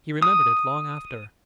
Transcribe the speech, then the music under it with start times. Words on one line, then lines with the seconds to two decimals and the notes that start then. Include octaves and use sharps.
He remembered it long after.
0.22 D#6